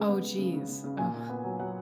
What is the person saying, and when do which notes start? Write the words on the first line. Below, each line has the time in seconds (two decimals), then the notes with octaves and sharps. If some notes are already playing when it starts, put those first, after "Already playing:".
Oh, jeez. Oh,
Already playing: C#3 G#3
0.08 B3
0.23 G#3
0.39 C#3
0.53 C#3
0.69 C#3
0.84 C#3
0.98 A#2 G#5
1.14 A#2
1.29 B3
1.44 F#3
1.60 F#3 F#5